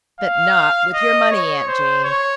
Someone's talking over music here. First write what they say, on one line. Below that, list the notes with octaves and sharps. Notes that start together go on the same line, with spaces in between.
But not with your money, Aunt Jane.
F5
D#5
C#5
C5
C#5